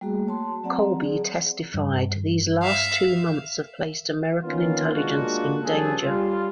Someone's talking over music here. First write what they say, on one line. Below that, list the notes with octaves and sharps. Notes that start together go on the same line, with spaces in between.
Colby testified, These last two months have placed American intelligence in danger.
G3 A3 A#3 F#4 G#4
C#5 A5 C6
F#3 C4 D5 F#5 A#5
G#4 D5
G2
E5 F5
D#3 A#3 B3 C#4 F4
G#3 A#3 D4 F4 F#4
F3 G3 A#3 C#4 G#4 A4
G3 F4